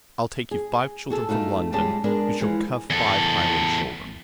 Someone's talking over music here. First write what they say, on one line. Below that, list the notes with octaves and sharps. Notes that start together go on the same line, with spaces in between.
I'll take you five children from London, who shall cuff five Highland children.
G#4
F#4 G#4 A4
A3 D#4 F4 F#4
A#2 G3 G#3 C#4 A5
G#3 B3 D4 A#4
E3 F3 G#3
E2 A4